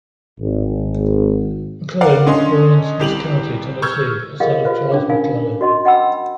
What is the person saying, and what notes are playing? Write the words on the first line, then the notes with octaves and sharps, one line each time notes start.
McLellin was born in Smith County, Tennessee, a son of Charles McLellin.
G#1
A#4 D5 F5 F#5
D3 C#4 D#5 C6 C7
C2 G4 F7 F#7
C#6 E6 F6 G6 G#6
F4 G4 G#4 A#4 D#5 F5
F4 B4 C5 F5
C#4 D4 D6
D#4 A#4 F5 G#5 B5
F#4 D#5 C6
D#5 F#5 G5 B5 D6 E6